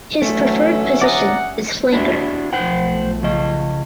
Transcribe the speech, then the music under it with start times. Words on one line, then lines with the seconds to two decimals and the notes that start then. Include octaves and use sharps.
His preferred position is flanker.
0.22 D3 E3 F#3 A3 C#4 E5
1.02 D5 F#5 A#5 D#6
1.92 D#2 D4 E4 F#4
2.53 B1 F3 A3 C5 F#5 G5
3.23 C#3 D#5